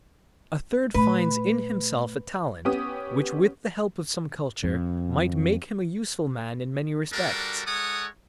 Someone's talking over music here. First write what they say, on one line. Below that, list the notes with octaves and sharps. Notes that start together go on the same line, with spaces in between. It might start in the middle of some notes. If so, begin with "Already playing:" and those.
A third finds in himself a talent which with the help of some culture might make him a useful man in many respects.
A#2 A3 B4
B3 C#4 G4 D#6
F2
G3 D4 F#4 A4 A#4
G#3 A4 C#5 F#5 D#6